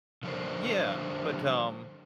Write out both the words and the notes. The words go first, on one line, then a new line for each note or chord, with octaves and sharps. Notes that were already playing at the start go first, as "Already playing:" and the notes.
yeah. But, um,
D3 F3 G3 A4 A#4 C5